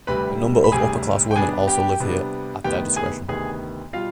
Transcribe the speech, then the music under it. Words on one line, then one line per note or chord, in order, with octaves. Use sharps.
A number of upperclass women also live here, at their discretion.
D2 C3 G3 B4 B5
B5
D2 C3 G3 G#4 G#5
G5
C3 G3 B3 D4 G#4 G#5
G4 G5
C3 G3 B3 D4
D2 C3 D#3 B3 G4 G5
G#4 G#5
D2 C3 D#3 B3 G#4 G#5
B2 G3 F4 F5